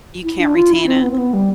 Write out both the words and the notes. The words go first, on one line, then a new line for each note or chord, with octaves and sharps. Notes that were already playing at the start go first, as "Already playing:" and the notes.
You can't retain it.
E4
D4
F4
E4
C4
B3
C4
B3
G3